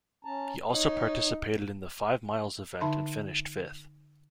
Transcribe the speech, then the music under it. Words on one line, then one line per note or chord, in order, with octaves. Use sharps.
He also participated in the five miles event and finished fifth.
C#4 A5 A#5
D#4 C#5
D3 D#4 E5 A5 B5 C6